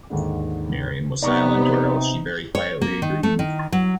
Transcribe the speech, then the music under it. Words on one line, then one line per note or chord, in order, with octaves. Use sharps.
Miriam was silent, or else she very quietly agreed.
D#2 G#2 D3
C3 B3 D#4 D5 A#5 C#6
C#5
A#3
D#3
A3
D#3
F#3